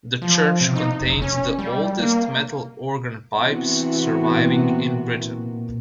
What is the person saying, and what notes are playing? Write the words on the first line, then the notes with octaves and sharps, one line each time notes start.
The church contains the oldest metal organ pipes surviving in Britain.
F3
C3
D#4
F1
C#4
G3
A#3
C3 E3 B3 F#4
A#2